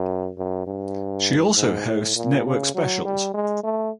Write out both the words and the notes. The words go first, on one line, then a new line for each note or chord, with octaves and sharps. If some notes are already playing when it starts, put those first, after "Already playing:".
She also hosts network specials.
Already playing: F#2
F#2
G2
G#2
A2
A#2
C#3
F#3
G3
G#3
A3